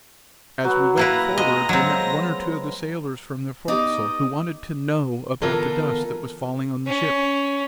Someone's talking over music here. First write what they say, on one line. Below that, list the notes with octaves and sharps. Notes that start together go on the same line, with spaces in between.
As we went forward we met one or two of the sailors from the forecastle, who wanted to know about the dust that was falling on the ship.
F#3 B3
A#3 E4 B4 A#5 A#6
G#3 F4 D#5
F#3 C4
B3 D#4 G4 D5 D#5 D6
D3 E3 B3 F4 A4 A#4
C#4